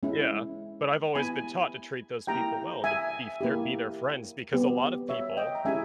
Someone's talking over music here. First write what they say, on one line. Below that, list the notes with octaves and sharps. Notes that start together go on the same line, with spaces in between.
Yeah. But I've always been taught to treat those people well and to be their f be their friends because a lot of people,
G#3 C#4 E4
B3 E4 G4 G#5 B5
A#3 E4 G4 G5 A#5
E5 G#5
A#3 E4 G4
G3 B3 G4
C#5 E5
D#5 G5
A#5
G#3 C#4 E4 G4 E5 G#5